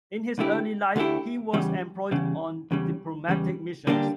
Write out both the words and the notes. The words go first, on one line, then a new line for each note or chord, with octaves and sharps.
In his early life he was employed on diplomatic missions.
D2 D3 A3 E4 G4
D2 D3 A3 E4 G4
E2 C#3 G3
E2 C#3 G3
E2 C#3 G3
E2 C#3 G3
D3 G3 A#3 D4 G4